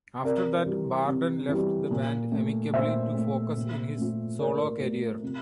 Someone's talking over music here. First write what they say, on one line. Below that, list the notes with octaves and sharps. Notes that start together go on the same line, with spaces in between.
After that, Barden left the band amicably to focus in his solo career.
C3 A#4 D5
E3 G3
C3
E3
G3
A#2
A3
A#2 C5 E5
A3
A#2
F3 A3
A#2 A#4 D5
F3 A3
C3